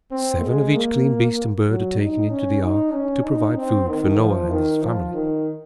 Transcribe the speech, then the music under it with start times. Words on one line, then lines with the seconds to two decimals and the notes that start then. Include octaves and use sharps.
Seven of each clean beast and bird are taken into the ark to provide food for Noah and his family.
0.11 C4
0.43 G#3
0.74 A#3
1.68 F#3
1.99 D#4
2.30 C#4
2.63 D#4
2.93 C#4
3.24 D#4
3.56 C4
3.88 D#3
4.19 F3
4.50 D#3
4.82 F3
5.14 D#3